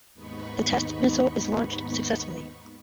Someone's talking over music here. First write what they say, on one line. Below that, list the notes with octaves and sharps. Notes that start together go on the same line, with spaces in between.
The test missile is launched successfully.
D#2 G#2 B3 D#4 B5 C#6